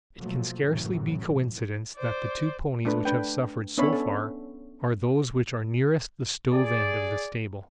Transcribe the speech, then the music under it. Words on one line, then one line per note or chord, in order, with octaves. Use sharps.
It can scarcely be coincidence that the two ponies which have suffered so far are those which are nearest the stove end of the stable.
B2 F3 F#3 A3 A#3
A#1 F#2 A2 C3 E3 F#3
C5 D5
A3 D4 B4
D4 B4 G5
B3 C#4 D4 C#5 E5 B5
A4
G#4 D5